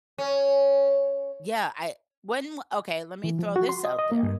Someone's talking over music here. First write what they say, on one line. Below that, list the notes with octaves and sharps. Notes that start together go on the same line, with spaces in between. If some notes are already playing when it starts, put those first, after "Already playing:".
Yeah, I when okay, lemme throw this out there.
C#4
E3
F3
F#4
C6
D#5
D#5
A#3
G2